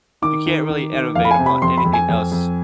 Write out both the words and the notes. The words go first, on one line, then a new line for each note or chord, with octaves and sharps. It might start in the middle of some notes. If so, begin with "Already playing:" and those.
You can't really innovate upon anything else
D#3 D6
D#3
D#3
D#3
F2 F5
B5
G#5
C3
B5
F2 C6
B5
F2
G#5
F2
F2